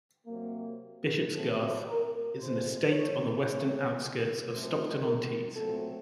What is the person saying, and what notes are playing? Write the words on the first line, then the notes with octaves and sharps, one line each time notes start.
Bishopsgarth is an estate on the Western outskirts of Stockton-on-Tees.
C3 F#3 A#3
C3 F#3 A3 C4 A4
A#4
F2 C#3 A3 C5
C#5
C#3 A3 C4 C#5
F#2 F3 A3 C4 C5
A#4
A#2 F#3 A3 C4 A4